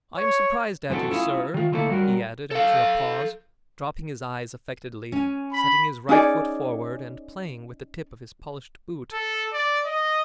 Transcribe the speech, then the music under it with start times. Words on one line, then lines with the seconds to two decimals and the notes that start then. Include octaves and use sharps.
"I am surprised at you, sir," he added, after a pause, dropping his eyes affectedly, setting his right foot forward, and playing with the tip of his polished boot.
0.17 C#5
0.90 F#2 E3 C4 C#4 F#4 A4
1.10 C#4 E4 F4 G4 G#4
1.54 D#3 F4
1.72 D3 A3 A#3 E4 A4
1.90 F#3 G3 F#4 A#4
2.51 A4 F5
5.12 C#4 G#5
5.52 B5
6.09 C#4 D#4 G#4 D5
9.13 A4
9.53 D5
9.86 D#5